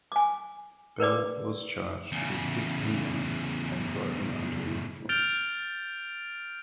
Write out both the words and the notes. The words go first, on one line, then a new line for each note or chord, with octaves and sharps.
Bell was charged with hit and run and driving under the influence.
G#5 D6
A#4 B4 D5 D6
E2 C#3
F6 G6 A6 D7 F7 G7